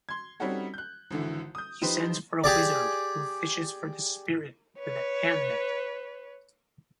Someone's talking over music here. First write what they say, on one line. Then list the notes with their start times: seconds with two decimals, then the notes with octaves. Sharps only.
He sends for a wizard, who fishes for the spirit with a hand-net.
0.09 C6 G#6
0.40 G3 C4 C#4 D#4 F#4 A4
0.74 F#6 G6
1.11 G#1 D3 E3
1.55 D#6 G6
1.82 F3 D#4 G4 B4 C5
2.44 G4 G#4 D5
4.79 B4 C#5